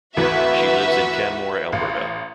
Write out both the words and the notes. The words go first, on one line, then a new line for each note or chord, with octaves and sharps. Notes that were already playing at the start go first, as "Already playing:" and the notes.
She lives in Canmore, Alberta.
G#1 D2 E3 F#4 B4 E5
A1 F5